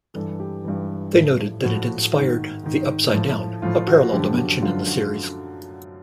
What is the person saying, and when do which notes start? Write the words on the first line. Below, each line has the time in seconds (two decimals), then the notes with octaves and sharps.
They noted that it inspired the Upside Down, a parallel dimension in the series.
0.14 G2 E3 A4
0.40 G4
0.64 G2 E3
1.14 A2 F3
1.63 A2 F3 F#4
2.13 G#2 D#3
2.63 G#2 D#3
3.13 A2 F3
3.62 A2 F3 F4
3.87 F#4
4.12 F#2 D3 F3 G4
4.37 F#4
4.62 F#2 D3 F3 F4
4.87 F#4